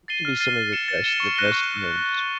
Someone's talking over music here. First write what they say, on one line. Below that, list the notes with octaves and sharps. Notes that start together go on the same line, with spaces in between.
To be some of your best the best friends.
A6 C7 D#7 G7
F6
A6 C7 D#7 G7
A6
C#7 E7 G7
A6
C#7 E7 G7
C#6
F#6 A#6 D#7 G7
C#6